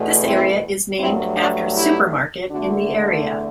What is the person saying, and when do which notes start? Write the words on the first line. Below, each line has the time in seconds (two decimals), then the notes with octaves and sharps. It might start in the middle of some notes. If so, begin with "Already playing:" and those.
This area is named after Supermarket in the area.
Already playing: E2 B2 A3
0.24 C4 E4
0.98 G2 F#3 A3 C4 E4
1.36 D4 F#4
1.74 E4 G4
2.49 E2 D3 A3 D4 F#4